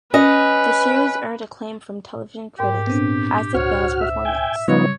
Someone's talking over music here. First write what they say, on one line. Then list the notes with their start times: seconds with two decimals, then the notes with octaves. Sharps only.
The series earned acclaim from television critics, as did Bell's performance.
0.14 C#4 B4 D#5
2.59 G#2 G4 A#4 G5
2.87 A#2 B3 C4 D4
3.54 C#2 F#4 C5 C#5 F6
4.01 E5
4.25 G5 G#5
4.68 C#3 F3 G3 B3 D#4 C#5